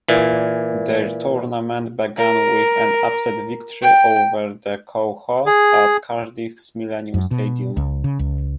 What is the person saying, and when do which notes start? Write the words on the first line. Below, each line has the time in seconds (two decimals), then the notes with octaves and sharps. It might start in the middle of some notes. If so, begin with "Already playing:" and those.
Their tournament began with an upset victory over the co-hosts at Cardiff's Millennium Stadium.
0.08 A#2 E3
2.17 A#4
3.82 G5
5.46 G#4
7.14 F#2
7.31 B2
7.77 C#2
8.04 C#3
8.19 C#2